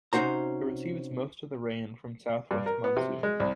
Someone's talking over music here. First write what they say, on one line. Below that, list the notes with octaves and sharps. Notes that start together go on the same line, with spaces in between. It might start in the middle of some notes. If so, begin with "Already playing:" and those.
It receives most of the rain from Southwest Monsoon.
C3 C#4 D#4 F#4 C5 A#5
G2
A#4
B3
C3
G#3
C2